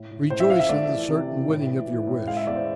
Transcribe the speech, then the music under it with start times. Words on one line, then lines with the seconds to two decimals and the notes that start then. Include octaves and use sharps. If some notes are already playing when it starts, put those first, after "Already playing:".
Rejoice in the certain winning of your wish!
Already playing: A2
0.11 A2
0.30 A2 C5
0.40 E5
0.50 F3 F5
0.60 E5
0.69 A3 D5
0.89 E3
1.09 C3
1.29 E3
1.48 A2
1.68 E3
1.88 E3
2.07 A2
2.27 G#3 F5
2.37 E5
2.47 E2 D5
2.56 C5